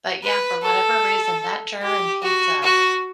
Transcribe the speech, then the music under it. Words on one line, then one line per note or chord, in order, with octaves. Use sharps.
But, yeah, for whatever reason, that German pizza,
B4
A4
G4
F#4
F#4